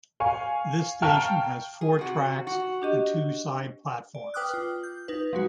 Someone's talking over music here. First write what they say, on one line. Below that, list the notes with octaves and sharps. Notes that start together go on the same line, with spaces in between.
This station has four tracks and two side platforms.
F5 G#5 C#6
F5 G5 A5 A#5 C#6 F6
G#4
C3 F#4
F#4
D4 G4 D#5
D5
B4 G5 D6 D#6 F6 F#6
F4
G6
D#4 B4
F3 F#3 G#3 F#4